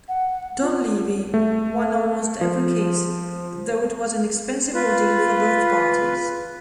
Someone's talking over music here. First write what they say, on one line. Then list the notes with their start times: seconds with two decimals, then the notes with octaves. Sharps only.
Donleavy won almost every case, though it was an expensive ordeal for both parties.
0.08 F#5
0.62 F4
1.34 A3
2.41 F3
4.74 F4 B4